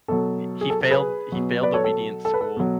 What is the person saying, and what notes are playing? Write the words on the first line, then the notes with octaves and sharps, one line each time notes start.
i he failed he failed obedience school,
B2 F#3 A4
G#4
A4
A4
G#4 B4
B2 F#3
B4 D5
A4 C#5
A4
A4
B4
A4
B2 F#3